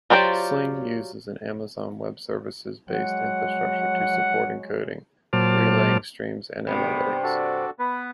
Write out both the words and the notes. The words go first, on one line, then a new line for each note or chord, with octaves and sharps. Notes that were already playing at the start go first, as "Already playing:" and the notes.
Sling uses an Amazon Web Services-based infrastructure to support encoding, relaying streams and analytics.
F#3 F4 G4 C5 D5
F#3 G#3 F#5
A#2 F#3 C5 A5 D6 F6
G2 C3 B3
D4 F#4 A4
B3 B4